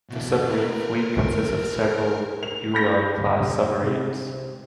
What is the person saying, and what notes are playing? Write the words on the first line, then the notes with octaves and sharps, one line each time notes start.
The submarine fleet consists of several "Ula" class submarines.
B2 E3
A#4 B4
F7
B5 G6 A#6
C3